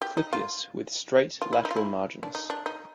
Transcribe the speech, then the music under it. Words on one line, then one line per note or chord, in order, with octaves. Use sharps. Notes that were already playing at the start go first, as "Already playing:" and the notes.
Clypeus with straight lateral margins.
G4
D#4
F4
F4
E4
D#4
F4
E4
D4
D#4
D4
D#4